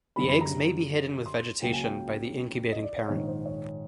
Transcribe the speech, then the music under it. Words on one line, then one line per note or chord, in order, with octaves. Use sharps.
The eggs may be hidden with vegetation by the incubating parent.
F#1 F#2 D3 G3 B5
B5
A#5
C6
C#2 C#3 F#3 A#3 G5
G#5
G5
D#5
D5
C#5
A#1 G#2 D#3 C#5
C5
C#5